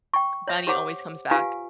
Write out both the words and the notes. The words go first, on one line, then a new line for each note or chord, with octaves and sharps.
money always comes back?
G5 C#6
C#5 E5
G4 C5 C#5 F#5 D6
F4 G4 B4 F5 G#5